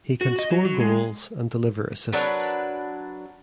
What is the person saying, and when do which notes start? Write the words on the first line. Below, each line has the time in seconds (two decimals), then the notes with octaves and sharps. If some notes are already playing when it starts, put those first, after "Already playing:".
He can score goals and deliver assists.
0.21 F#4
0.39 D#5
0.51 F#3
0.65 F#3
0.80 G#3
2.12 F#3 D4 A#4 B4